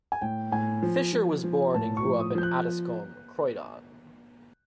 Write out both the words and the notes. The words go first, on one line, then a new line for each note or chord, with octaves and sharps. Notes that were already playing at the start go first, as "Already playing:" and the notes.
Fisher was born and grew up in Addiscombe, Croydon.
G#5
A2 G5
A2 G#5
F3
F3
F3
A2 A5
C#6
F3
D#6
F3 G6
F#6